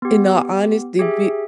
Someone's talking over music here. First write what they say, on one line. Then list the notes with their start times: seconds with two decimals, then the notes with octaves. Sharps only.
in all honesty, be
0.02 B3 G4
0.99 G4 G#4 E5